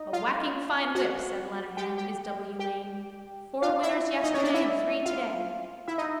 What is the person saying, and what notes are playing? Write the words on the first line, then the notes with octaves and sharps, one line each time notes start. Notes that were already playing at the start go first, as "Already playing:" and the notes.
A whacking fine whip, said Lenehan, is W. Lane. Four winners yesterday and three today.
Already playing: D#4 D#5
F4 F5
F#4 F#5
G4 G5
G4 G5
G4 G5
F4 F5
E4 E5
D#4 D#5
C#4 C#5
D#5
D4 D5
E4 E5
F4 F5
E4 E5
D#4 D#5